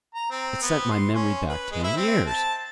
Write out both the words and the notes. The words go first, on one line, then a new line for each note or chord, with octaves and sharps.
It sent my memory back ten years.
A#5
C4
B3
C6
C#4
B4
G#3
E4
C4
A5